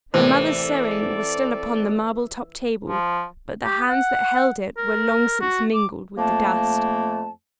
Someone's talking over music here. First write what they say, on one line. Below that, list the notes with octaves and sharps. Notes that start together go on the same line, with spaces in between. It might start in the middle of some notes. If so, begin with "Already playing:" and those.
Her mother's sewing was still upon the marble-topped table, but the hands that held it were long since mingled with the dust.
A2 C3 E3 A#3 C4 A4 C5 D5
F3
G4
F#5
A#4
F#4
D6
F2 A3 A#3 A5